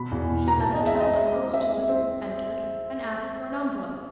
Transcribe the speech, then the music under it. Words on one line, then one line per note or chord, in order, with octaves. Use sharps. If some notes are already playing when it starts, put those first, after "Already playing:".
She led the child across to it, entered, and asked for an envelope.
Already playing: B2 B5
E2
B2
B2 A#5
A5
E2
D#5
G#3 E5
G#3 D#5
G#3
C4
C4 E5
G#3
C4